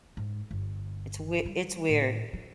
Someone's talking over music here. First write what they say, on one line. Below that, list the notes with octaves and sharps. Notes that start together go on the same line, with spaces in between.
It's wei it's weird.
G#2
G1
G3
A2
F#3